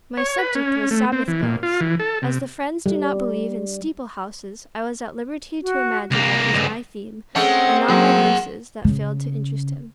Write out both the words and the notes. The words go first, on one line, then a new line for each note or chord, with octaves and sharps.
My subject was "Sabbath Bells." As the Friends do not believe in "steeple-houses," I was at liberty to imagine that it was my theme, and not my verses, that failed to interest him.
C#5
B4
C#4
A3
C4
E3
A#2
F4
E3
A4
C3
G3
F#4
C2 A#3 A#6
C#2 G2
G#3 A3 C4 C#4 F#5
F#3 A#3 G#4 F#5
C#3